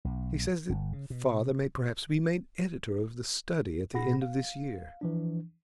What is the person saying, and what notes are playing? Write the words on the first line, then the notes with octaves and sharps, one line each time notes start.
He says that father may perhaps be made editor of The Study at the end of this year.'
B1
G1
C#3
B2
A#2 G#4 F#5 B5 A#6
F5
E3 F3 D4